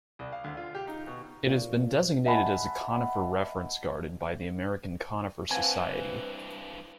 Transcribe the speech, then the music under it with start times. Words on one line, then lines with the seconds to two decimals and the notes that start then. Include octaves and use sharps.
It has been designated as a Conifer Reference Garden by the American Conifer Society.
0.19 C2
0.32 F5
0.44 D2
0.57 F4
0.75 G4
0.87 D#4
1.07 B2
1.47 A#2
2.25 D#5 E5 F#5 G#5 A5 B5
5.50 G2 E3 C4 B4 F5 F#5 G#5 A5